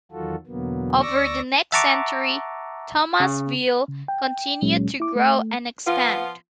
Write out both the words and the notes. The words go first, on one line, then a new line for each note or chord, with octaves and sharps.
Over the next century, Thomasville continued to grow and expand.
E2 D#3 F#3 F4 F#4 A4
E2 B2 D3 F#3 A#3 B3
D2 D5 C#6 D6 E6 A#6
E5 F#5 A5 A#5 C#6 D6
C#3
C#3
G5
D2 A#2 F#3 G#3 C#4
E4 D6
A3
F3 B3 F4